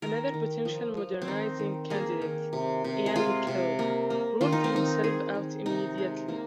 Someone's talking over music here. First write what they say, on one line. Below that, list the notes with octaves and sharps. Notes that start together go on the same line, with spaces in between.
Another potential "modernizing" candidate, Iain Macleod, ruled himself out immediately.
D#3 A#4
D#3
F3
F3
C4
D#3 D#4
D#3
A#3 G#4
D#3
C3
C3
G#4
G#3 F4
C3
A#3
A#3
D#3 F4
D#4
C4
D#3 D#4
D#3 G#4
D#3
C3 D#4
G#3
A#3